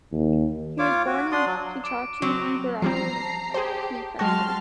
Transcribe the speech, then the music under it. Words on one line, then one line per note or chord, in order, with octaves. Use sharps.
He was born in Hitachi, Ibaraki Prefecture.
D#2
F4 C#5 D6
F#4
D4 D5 C6 D#6
F#3
D6 D7
F#3 C4 C#6 D7
F3 G3 C4 C5 A#5 C7
A5
G4 G#4 C5
F#3 G#3 F#4 G5 A5 C6 F6